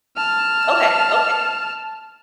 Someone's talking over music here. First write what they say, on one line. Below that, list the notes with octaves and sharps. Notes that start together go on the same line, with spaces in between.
Okay, okay.
A5 F6